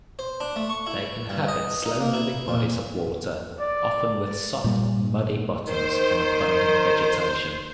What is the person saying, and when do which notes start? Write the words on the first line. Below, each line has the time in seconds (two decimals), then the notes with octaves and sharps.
They inhabit slow-moving bodies of water, often with soft, muddy bottoms and abundant vegetation.
0.19 C5
0.40 D4
0.56 A3
0.70 C#6
0.86 E4
1.29 G2
1.48 D#5
1.86 D#4
2.00 A#3
2.13 E4
2.48 A#2
3.60 D5
4.64 A#2 G3
5.67 D#3 C5